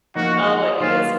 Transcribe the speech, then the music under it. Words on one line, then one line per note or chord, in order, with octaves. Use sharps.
oh my goodness,
F3 A#3 D#4 F#4
D#3 F#3 A#3 F4